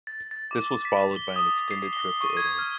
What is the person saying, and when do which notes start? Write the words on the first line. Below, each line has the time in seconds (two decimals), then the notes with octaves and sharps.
This was followed by an extended trip to Italy.
0.07 A6
0.31 A6
0.51 D6
0.85 B6
1.16 G7
1.36 D#6
1.71 C7
1.93 G7
2.21 C#6
2.37 G#6
2.59 F6